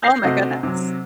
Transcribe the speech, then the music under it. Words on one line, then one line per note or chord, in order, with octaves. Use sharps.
Oh my goodness.
G6 A#6 C7
C3 A3 F#4 D#5
C3 F#3